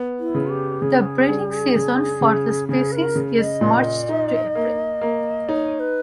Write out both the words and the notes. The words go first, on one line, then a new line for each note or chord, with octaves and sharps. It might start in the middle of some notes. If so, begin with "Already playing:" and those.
The breeding season for the species is March-April.
Already playing: B3
E4
C#3
G4
C#3 G#4
G3
C#3
C#3
C#3 G#4
B4
A#4
C#3
D#5
A#2
D#4
A#3
A#3
D#4 C#5
B4